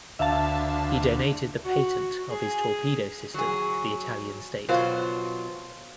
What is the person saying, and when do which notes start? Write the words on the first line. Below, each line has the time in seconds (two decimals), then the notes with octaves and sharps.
He donated the patent of his torpedo system to the Italian State.
0.19 D2 E5 F5 A5
1.65 F#4
2.30 G#4
3.34 F#3 G#4
4.69 B2 F#3 F4 C5